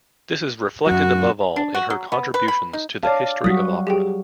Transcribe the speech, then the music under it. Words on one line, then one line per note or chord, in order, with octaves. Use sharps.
This is reflected above all in her contributions to the history of opera.
F#2 F#3 F#4
D4
F#4
F#3
B3
B4
B5
D#4
C#5 D5 F5 A5
F#3 G3 F#4 D#6 B6
G4 G#4 G5